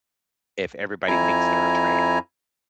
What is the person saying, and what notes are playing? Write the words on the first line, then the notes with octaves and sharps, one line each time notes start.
if everybody thinks they're a traitor.
F2 E4 G#5 A#5